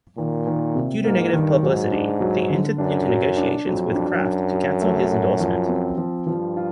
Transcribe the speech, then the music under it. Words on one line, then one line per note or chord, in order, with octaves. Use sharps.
Due to negative publicity, they entered into negotiations with Kraft to cancel this endorsement.
A#2 D#3
D#3
C3
G#2 A#3
G2 D#3
G#2 F#3
D4
F#3
D3
F#2 D4
F#3
D4
F2 F#3
D4
F#2
D4
F#4
A3
F#4
F3
C4
F3
G2 F3
F4